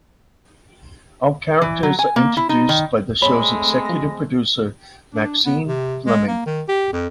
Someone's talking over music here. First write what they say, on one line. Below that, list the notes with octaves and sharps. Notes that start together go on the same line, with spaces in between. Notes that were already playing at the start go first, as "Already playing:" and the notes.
All characters are introduced by the shows executive producer Maxine Fleming.
E3
F#3
G#5
A#3
E4
D#4
D#3
G#3 A3 C4 C#5 B5
F3 A#6
D4
B3
C3
G#3
A#3
D#3
G4
F2